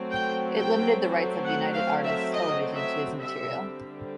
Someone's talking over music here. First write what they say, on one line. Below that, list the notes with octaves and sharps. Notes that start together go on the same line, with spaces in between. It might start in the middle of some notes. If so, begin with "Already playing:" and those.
It limited the rights of United Artists Television to his material.
Already playing: F#3 A3 C4
G5
G5
F#5
F5
E5
D#5
E5
D3 G3 C4 E5